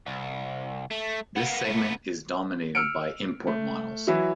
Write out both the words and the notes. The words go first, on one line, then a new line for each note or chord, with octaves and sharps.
This segment is dominated by import models.
C2
A3
A#3 B3
A3 B3
E6 F6 C#7 D7
A3
E3 F#3 E4 F#4